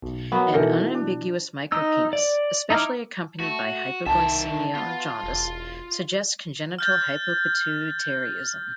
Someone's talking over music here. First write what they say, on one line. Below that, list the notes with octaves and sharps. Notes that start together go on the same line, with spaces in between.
An unambiguous micropenis, especially accompanied by hypoglycemia or jaundice, suggests congenital hypopituitarism.
B1
F#3 A#3 B3 B5
B2 E3 D#4 A4 A#4
D4
D#4 E6
D5
D#4 E4 A#5 D6 F6
A3 F#4
C2 D#3 E5 A5
B3 F4
E1
F6 G6 A6